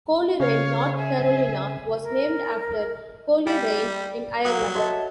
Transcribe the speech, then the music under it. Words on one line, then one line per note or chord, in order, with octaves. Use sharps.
Colerain, North Carolina, was named after Coleraine in Ireland.
C#3 C#5 F5
G#4 E5
A#4
G3 G4 D5 F5 G#5
F#3 A#3 F#5 D#6
F#4 A4 C#5 D#5 E5 F#5 A5